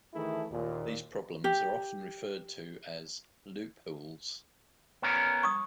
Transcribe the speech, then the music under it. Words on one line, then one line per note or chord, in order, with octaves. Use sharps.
These problems are often referred to as "loopholes".
D#3 E3 A3 E4 G#4 A4
D#2 A#2
G4
B3 C#4 A#4
C#6 D#6